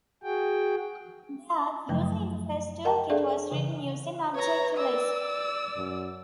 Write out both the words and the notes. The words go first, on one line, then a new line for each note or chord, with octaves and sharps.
There, the user interface toolkit was written using Object Lisp.
F#4 G#4 G5
F#2 C#3 F3 F#3 A3
A#4 D#5 F#5 G5 A5 A#5
D4 G#4 A4 D5 E5 F5
C#3 E3
B4 C#5 A#5
D5 E6
F#2